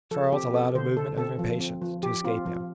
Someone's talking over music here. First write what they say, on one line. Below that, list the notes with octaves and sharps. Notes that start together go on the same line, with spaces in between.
Charles allowed a movement of impatience to escape him.
F3 A4
C4 G4
C4 A4
D3 C5
D3 A4
C4 A4
F3
C4
F3
F3 G4
C4 F4
F3